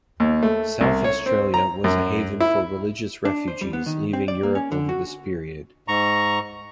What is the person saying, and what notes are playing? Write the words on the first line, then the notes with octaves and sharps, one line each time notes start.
South Australia was a haven for religious refugees leaving Europe over this period.
D#2
A3
C2
C#5
C4
A#5
F#2
E4
D4
C5
G3
B3
D#3
C4
D5
A#3
C#4
D3
F#4
G#2 A#5 C#6